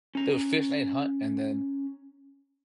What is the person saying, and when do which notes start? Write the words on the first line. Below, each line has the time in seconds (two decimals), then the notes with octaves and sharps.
they would fish and hunt and then
0.15 C#4 A#5